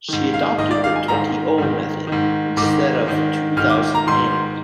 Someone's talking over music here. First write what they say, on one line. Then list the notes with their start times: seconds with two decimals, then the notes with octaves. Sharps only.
She adopted the 'twenty-oh' method instead of 'two-thousand-and'.
0.08 G#2 D#3
0.34 F5
0.58 G#2 D#3 D#5
0.71 D5
0.84 F5
0.96 G#5
1.08 G#2 D#3 A#5
1.58 G#2 D#3
2.07 G#2 D#3
2.57 G#2 D#3 D6
3.07 G#2 D#3
3.57 G#2 D#3 F6
3.70 D6
3.95 A#5
4.07 G#2 D#3 C6